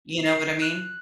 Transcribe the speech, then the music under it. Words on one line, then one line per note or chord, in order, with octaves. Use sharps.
You know what I mean?
C7
F#6